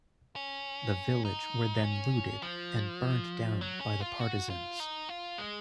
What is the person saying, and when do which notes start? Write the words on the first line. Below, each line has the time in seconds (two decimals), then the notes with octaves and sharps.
The village were then looted and burned down by the partisans.
0.36 C#4
1.25 D#4
1.84 C#4
2.42 F3
3.61 F#3
3.81 C#4
4.00 F4
4.20 F#4
4.50 F4
4.80 D#4
5.09 F4
5.38 G#3